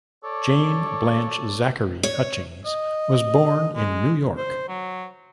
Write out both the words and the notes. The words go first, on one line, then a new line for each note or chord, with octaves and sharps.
Jane Blanche Zacharie Hutchings was born in New York.
A4 C#5 D5
C#5
D#5
G#3
C5
F#3